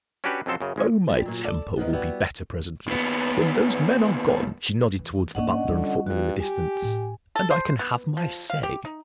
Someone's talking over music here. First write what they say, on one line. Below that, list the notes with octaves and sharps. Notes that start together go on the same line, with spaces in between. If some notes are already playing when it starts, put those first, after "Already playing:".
"Oh, my temper will be better presently, when those men are gone"--she nodded towards the butler and footman in the distance--"and I can have my say."
C#4 D4 F#4 G4 B4 C#5
F2 C#3 F#3 C4 A4 C5
F#2 C#3
G#1 G#3 C#4
F3 G3 G4
A#2 F#3
A4 D5
D#3 F3 B3
G3 B3 E4 F#4 G4
D#2 B3
E3
G#2 A#3 C#4 D4 D#5 F#5
D3 G3 F4
G2 F#4
G4 G#5
A2
A4
C5
B3
F3
F5
G4
D#4